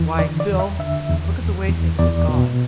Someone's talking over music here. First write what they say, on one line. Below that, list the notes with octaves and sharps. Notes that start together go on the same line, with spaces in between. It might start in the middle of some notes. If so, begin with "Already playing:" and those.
Why, Bill, look at the way things have gone!
Already playing: E2 E3
D3 D5
D5
E2
E5
D3 E5
E2
E2
E2
E2 D5
B2